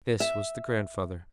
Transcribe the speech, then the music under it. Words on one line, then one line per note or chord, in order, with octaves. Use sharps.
This was the grandfather.
E5